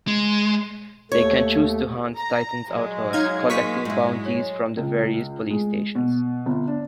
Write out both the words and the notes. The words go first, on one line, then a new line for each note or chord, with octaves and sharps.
They can choose to hunt Titan's outlaws, collecting bounties from the various police stations.
G#3
D#2 A3 C#5
A#5
F#3 G#3
D#4 C#5 F5 F6 G#6
A#3 C4 D#4 C#6 B6 D#7
G#2 E4
C#5
C#2
G#3
B2
G1
D4